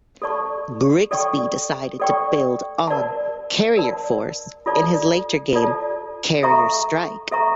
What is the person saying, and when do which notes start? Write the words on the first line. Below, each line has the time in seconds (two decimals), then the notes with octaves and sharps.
Grigsby decided to build on "Carrier Force" in his later game "Carrier Strike".
0.22 A4 D5 A5 C#6
1.11 A4 D5 G5 C#6
2.00 A4 D5 G5 C#6
2.87 A#4 D5 A5
3.77 A#4 D5 A5
4.66 F4 A4 D5 A5
5.54 F4 A4 D5 A5
6.43 A4 E5 A#5 C#6
7.31 A4 E5 A#5 C#6